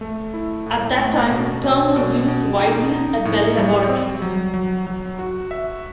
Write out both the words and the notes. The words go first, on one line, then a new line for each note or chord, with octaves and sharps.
At that time, the term was used widely at Bell Laboratories.
A3
E4
A2
A3
B2
B2
B2
B2
D#4
D#4
A2
G3
C4
F#3
F#3
F#3
F#4
E5